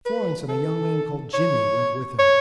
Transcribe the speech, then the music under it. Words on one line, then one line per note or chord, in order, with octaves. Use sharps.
And Florence and a young man called Jimmy went with him.
B4
A4
C#5
C#5